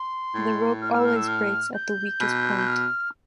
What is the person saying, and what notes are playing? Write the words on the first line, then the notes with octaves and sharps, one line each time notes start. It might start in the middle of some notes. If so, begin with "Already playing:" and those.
The rope always breaks at the weakest point.
Already playing: C6
A2
F6
F6
E6
F6
E6
F6
G6
B2
G6
F6